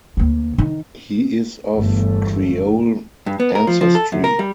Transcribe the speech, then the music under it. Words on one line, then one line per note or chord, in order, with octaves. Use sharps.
He is of Creole ancestry.
D2 A#3
D#3
G1 E2 A3
G2
B3
A#4
F3
F3
A4
F#2
A#4
G3